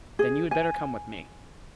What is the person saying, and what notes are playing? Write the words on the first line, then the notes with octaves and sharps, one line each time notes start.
"Then you had better come with me."
G#4
G#5